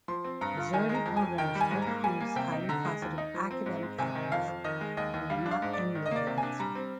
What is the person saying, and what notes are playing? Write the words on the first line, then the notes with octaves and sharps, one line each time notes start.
These early programs all produced highly positive academic outcomes, but were not emulated elsewhere.
F3 C6
C4
G2 A#5
F4
D#3 G#5
G#3
A#5
F2
G#5
F2
D#3 G5
G3
G#5
G#2
A#3 A#5
G3 G#5
A#3
C3 G5
D#4
D3 A#5
G#3
D#2
D#4
F3
C4
G#2
G#2
C3 G#5
D#3
F2 F5
F2
D#3 D#5
G#3
D#2 D#5
D#2
G3 F5
D4
F5
G#2
G#2 D5
D#3
D#5
A#3 D5
C3
G#5
D4
G3 A#5
C4